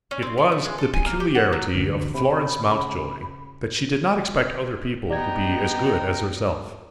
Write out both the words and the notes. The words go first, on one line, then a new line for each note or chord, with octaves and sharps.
It was the peculiarity of Florence Mountjoy that she did not expect other people to be as good as herself.
C#4
C4
D5
A3
G#3
A4
G#5
A#3
G4
F#5
F#3
A1 D2
C3 B5
C#3
B3 G4 D5 D#5 G5 A#5 G#6